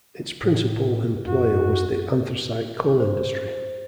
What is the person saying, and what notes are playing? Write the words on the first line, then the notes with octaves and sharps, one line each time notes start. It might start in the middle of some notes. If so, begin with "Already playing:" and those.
Its principal employer was the anthracite coal industry.
A2
F#2 F#4
C5